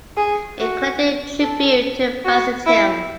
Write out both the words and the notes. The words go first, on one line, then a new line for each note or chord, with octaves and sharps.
He collected tribute to Byzantium.
G#4
F#4
A4
F#4
E4